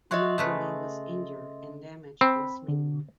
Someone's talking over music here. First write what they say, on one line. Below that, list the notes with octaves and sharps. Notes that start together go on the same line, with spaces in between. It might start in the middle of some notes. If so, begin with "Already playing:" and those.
Nobody was injured and damage was minimal.
F#4 C#5 D#5 E5 C6
C#3 A3 B4
C4 B5
D3